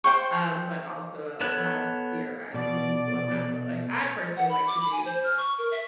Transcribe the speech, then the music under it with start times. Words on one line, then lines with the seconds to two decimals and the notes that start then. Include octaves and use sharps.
um, but also a lot of theorizing and whatnot, but, like, I personally like to do
0.04 C5 G5 C#6
1.41 B3 A4 C#5 F#6
2.54 B2 D5
4.36 F#5
4.49 B5
4.67 D6
4.80 B5
4.91 G#5
5.05 C5
5.23 F6
5.37 C#6
5.58 A#4
5.71 E5